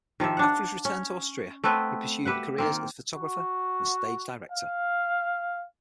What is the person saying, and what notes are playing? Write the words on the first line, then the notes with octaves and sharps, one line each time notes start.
After his return to Austria, he pursued careers as a photographer and stage director.
D#3 F3 G4 E5
D4 F#5
C#4
A3 B3 C4 B4
G4 B4 E5 F#5
D#3 A#3 C4
F#4
F5